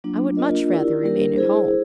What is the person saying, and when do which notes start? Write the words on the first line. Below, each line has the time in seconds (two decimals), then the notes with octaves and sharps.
I would much rather remain at home.'
0.04 F#3 A#3 D4 F4
0.37 A#3 D4 F4 A#4 D#5
0.70 E4 G4 A#4 D5
1.03 G3 A#3 D4 G4 A#4
1.36 E4 G#4 C5